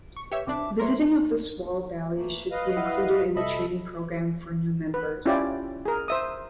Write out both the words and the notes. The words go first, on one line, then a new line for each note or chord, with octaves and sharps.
Visiting of this wall valley should be included in the training program for new members.
C#6
G4 B4 C#5 E5
C2 C4 D4 E5 A5 D6
A#4 B4 C#5 E5 C6
E3 A3 A#3
B4 D#5 F5
E4 E5 F#5
C2 A4 D#5 E5 B5
B4
C#4 E4 F4 G4 D5
G#4 A#4
C5 E5 D#6